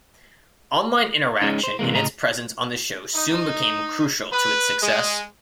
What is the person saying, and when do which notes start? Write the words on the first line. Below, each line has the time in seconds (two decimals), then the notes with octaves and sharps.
Online interaction and its presence on the show soon became crucial to its success.
1.42 G#3 C#4 D#4
1.63 C5
1.79 C3 E3 G#3 A#3
1.94 A2 C#3 D#5 A#5
3.15 D#4
4.33 B4
4.82 G#3